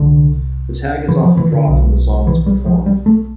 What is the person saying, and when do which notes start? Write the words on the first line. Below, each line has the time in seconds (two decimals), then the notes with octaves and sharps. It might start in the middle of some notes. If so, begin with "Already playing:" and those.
The tag is often dropped when the song is performed.
Already playing: C2 D3
1.08 E3
1.23 F3
1.37 E3
1.52 D3
1.67 B1 B2
2.27 E3
2.46 G3
2.66 F3
2.86 G3
3.06 A3